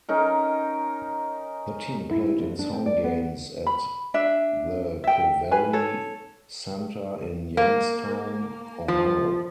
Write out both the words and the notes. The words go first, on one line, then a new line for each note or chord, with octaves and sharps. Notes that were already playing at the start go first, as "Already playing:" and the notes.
The team played its home games at the Covelli Centre in Youngstown, Ohio.
C#4 D#4 A#4
E4
E4
F2
D4
C4
D5
B3
B5
D4 E5
E5 G5
B4 F5 G#5
A4 C#5
A#3
F3